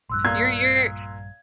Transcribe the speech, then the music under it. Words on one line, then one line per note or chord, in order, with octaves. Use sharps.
you're you're
A#1 G2 C6 E6 F#6
A#2 G#6